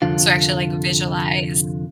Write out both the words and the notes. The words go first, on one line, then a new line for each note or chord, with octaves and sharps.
So actually, like, visualize
C2 F2 D3 F4